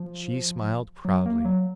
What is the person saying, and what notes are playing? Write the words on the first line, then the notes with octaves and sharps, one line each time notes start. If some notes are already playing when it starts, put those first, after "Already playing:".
She smiled proudly.
Already playing: F3
F#3
A#3
F#3